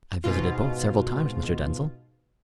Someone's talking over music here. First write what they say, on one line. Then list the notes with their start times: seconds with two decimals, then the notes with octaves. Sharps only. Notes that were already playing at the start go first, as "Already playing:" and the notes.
"I've visited both several times, Mr. Denzil."
0.24 G#2 B2 F4